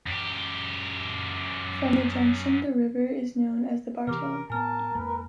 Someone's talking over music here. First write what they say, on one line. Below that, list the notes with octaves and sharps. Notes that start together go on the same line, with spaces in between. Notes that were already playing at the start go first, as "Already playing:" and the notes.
From the junction the river is known as the Bartang.
F#2 G4
C3 E3 G4 A#4 D6 F6
A2 B3 A#4 G#5 A5 F6
F2 G#2 A#3 B4